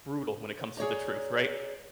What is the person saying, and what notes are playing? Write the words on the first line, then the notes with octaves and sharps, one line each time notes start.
brutal when it comes to the truth, right?
G#4 C#5 D5 A#5